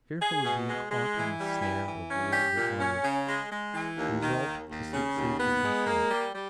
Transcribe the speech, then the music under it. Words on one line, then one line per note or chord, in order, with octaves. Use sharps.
Fearful of being caught in the snare of worldly honors, he resolved to seek safety in flight.
G#4
B2
G#3
G#3
E3
G3
E3
E3
C#4
G4
A#2
C#4
C#3
G#3
G#3
E3
D#2
D#3
D#2
D#2
C#3
D#2
B3
G#3
A#3
G3
G3